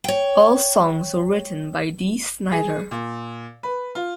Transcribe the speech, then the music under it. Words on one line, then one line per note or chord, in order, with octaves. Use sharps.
All songs are written by Dee Snider.
C#5 G5
G#4
A#2
B4
F4